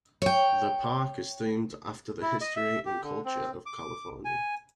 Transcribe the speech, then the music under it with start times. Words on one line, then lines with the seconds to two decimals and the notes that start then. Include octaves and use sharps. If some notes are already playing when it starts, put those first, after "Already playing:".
The park is themed after the history and culture of California.
0.22 C#5 G5
2.22 E4
2.41 D#5
2.56 E5
2.86 G4
3.02 D3
3.25 C4
3.66 D6
4.25 G#5